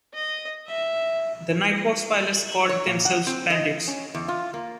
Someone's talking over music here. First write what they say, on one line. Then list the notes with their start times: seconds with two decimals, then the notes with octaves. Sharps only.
The Nighthawk's pilots called themselves "Bandits".
0.14 D#5
0.67 E5
2.69 C#5
2.87 A#2
3.05 F#5
3.27 C4
3.50 D#5
3.88 C#4
4.15 E2
4.28 F4
4.54 A#3